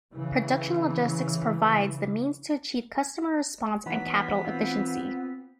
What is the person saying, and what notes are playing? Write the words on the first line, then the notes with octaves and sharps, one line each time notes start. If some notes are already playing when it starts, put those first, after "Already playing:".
Production logistics provides the means to achieve customer response and capital efficiency.
C#3 E3
E3 F#3 B3 D#4 B6
C4 F4